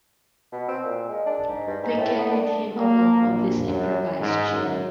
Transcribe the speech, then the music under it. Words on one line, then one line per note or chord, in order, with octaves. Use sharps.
They carried him along on this improvised chair.
B2
C4
A#2
G#3
D4
G#2
G2
G#2
A2
B3
D4
A#3
A#1
F#2
G#2
F#2